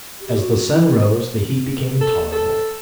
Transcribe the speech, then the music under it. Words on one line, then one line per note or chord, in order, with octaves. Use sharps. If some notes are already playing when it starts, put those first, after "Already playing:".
As the sun rose, the heat became intolerable.
G4
F#4
E4
A4
A4